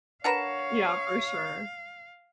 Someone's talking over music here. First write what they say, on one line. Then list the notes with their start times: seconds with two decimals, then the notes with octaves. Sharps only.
Yeah, for sure.
0.24 D4 A#4 B4 C#5 F5 F#5 A#6 E7